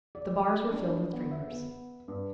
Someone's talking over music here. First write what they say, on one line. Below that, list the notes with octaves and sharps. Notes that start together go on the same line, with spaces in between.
The bars were filled with drinkers.
D5
D4
B3
E5
B3
G2